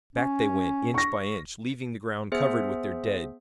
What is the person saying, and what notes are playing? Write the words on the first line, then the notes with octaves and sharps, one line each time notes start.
Back they went, inch by inch, leaving the ground covered with their dead.
C#4
C#6 A#6
B3 G#4 C5 E5